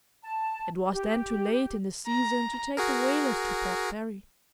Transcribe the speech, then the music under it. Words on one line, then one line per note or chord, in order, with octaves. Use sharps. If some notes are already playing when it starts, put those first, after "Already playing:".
It was then too late in the season to take the whalers to Port Fairy.
A5
G4
A#5
F#4 G#4 A#4